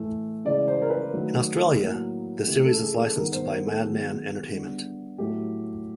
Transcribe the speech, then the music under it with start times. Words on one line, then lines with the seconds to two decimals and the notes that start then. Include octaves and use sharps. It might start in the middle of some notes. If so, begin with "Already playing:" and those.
In Australia, the series is licensed by Madman Entertainment.
Already playing: A2 E3 A3
0.45 C#3 E3 G#3 D5
0.68 C5
0.82 A#4
0.90 B4
1.13 D#3 F#3 A3
1.80 A2 F#3 A#3
2.48 C#3 E3 A3 G4
2.65 A4
2.82 G#4
2.99 A4
3.16 D#3 G3 B3 A#4
3.32 C5
3.49 A#4
3.66 A4
3.83 D#3 F#3 B3 G#4
4.51 D3 G3 B3
5.18 A2 F#3 A3 G4